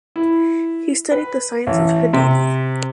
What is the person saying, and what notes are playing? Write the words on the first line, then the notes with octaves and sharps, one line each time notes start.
He studied the science of Hadith.
E4
B4
A1
C3